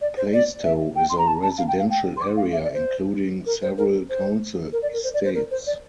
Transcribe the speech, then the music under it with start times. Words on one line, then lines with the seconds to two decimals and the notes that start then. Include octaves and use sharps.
Plaistow is a residential area, including several council estates.
0.01 D5
0.17 C5
0.33 D5
0.64 E5
0.96 G5
1.10 C6
1.19 A#5
1.27 A5
1.42 A5
1.58 F5
1.68 G5
1.79 F5
1.90 G5
2.17 C6
2.22 D6
2.37 F5
2.53 E5
2.64 D5
2.74 C5
3.46 A#4
3.62 C5
3.78 A#4
4.10 C5
4.73 A#4
4.82 D5
4.93 A#4
5.04 C5
5.14 D5
5.24 C5
5.35 A#4
5.51 C5
5.67 D5